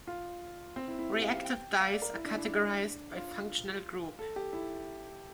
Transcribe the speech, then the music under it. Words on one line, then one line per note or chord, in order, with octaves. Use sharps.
Reactive dyes are categorized by functional group.
F4
C4
E4
E4
G4
F5
F5
G5
F5
D5
A#4
E4
D4
E4
D4
F4
A4
G4
E4